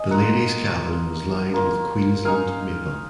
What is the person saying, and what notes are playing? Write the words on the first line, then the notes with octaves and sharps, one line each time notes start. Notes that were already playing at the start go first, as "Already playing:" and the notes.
The ladies cabin was lined with Queensland maple.
Already playing: D#5 G#5
A#3 F4 F#5 A#5
A#3 F4
A#3 F4
A#3 D#4 F5 G#5